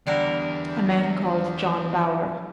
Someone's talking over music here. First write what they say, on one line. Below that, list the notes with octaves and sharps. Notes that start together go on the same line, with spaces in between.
A man called John Bauer.
E2 D3 G3 A#4